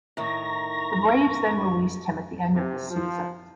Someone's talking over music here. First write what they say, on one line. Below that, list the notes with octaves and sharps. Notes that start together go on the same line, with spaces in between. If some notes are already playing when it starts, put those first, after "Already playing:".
The Braves then released him at the end of the season.
A2 D#3 A#5 C#6
C3
F3